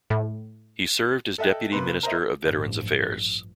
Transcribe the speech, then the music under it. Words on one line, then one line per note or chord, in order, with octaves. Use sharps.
He served as Deputy Minister of Veterans' Affairs.
A2
A4 D#5 E5 G5 F#6
C3 A#3 B4 C6
A#4 C5 D#5 E5
A1 G2 F3